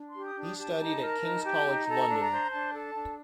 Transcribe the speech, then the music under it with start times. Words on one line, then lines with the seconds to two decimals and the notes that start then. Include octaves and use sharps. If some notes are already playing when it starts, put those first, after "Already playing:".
He studied at King's College London.
Already playing: D4
0.09 C6
0.14 G4
0.25 D#6
0.36 D4
0.42 D#6
0.58 G4 A5
0.79 D#4
1.01 A#4
1.22 D#4
1.44 G4
1.66 D#4
1.87 A4 A#5
2.09 D4
2.20 A#5
2.30 C5
2.52 D4 A5
2.74 A4
2.95 D4